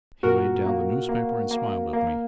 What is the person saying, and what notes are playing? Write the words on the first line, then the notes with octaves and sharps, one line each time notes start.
He laid down the newspaper and smiled at me.
A#2 F#4 A#4
A#3
A#3
A#3
A#3